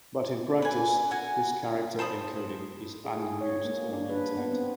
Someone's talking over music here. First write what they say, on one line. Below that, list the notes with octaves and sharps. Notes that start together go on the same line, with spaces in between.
But in practice this character encoding is unused on the Internet.
B4 G#5
F#4 G#5
C5 A5 B5 D#6
G#4
C#5
A#3
D4
B4
B3
C4